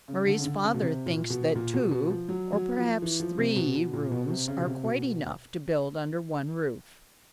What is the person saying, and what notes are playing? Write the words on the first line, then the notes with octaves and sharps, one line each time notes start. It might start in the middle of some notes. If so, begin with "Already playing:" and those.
Mari's father thinks that two, or perhaps three, rooms are quite enough to build under one roof.
C#3
D3
C#3
D3
C#3
B2
C3
A#2
B2
A#2
B2
B2
F3
F#3
F#3
F3
E3
F3
C3
B2
B2
A#2
B2
C3
C#3
B2
C3
B2
B2